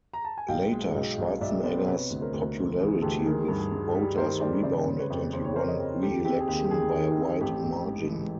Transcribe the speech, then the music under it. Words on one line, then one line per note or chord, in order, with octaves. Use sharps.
Later, Schwarzenegger's popularity with voters rebounded and he won reelection by a wide margin.
A#5
A5
G#5
B1 F5 G5
G#3
B1
B1
B1 D5 E5
B3 C5 D5
C5
C3 B4 C#5
D2
A#4 C5
D2
E1
E3 G#4
D2 G4 A4
D#3 G#4 A#4
G2
G#4
G2
G3
D#3 A#4 C5
G3 C5 D5
C#3 C5 D5
C#3
B4 C#5
F2
C#3 C5
C#5
F2 A#4 C5
C#5 D#5
F2
D#2 G4 A4
C4 G4
G#4
D#2 G4
G4
D#3 G#4
D#3
C4
A1 G4 A4
A1
G#2
E3